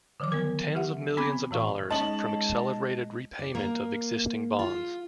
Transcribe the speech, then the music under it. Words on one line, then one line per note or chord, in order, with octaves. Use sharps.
Tens of millions of dollars-from accelerated repayment of existing bonds.
D3 D#3 F3 F#3 D6
B3 A#4
G4 E5 F#5
B3 C4 B5 D6 G#6
A2 E3 F5 C#6
G#3 C#4 D#4 D#5 A5 F#7
D5
A#3
F4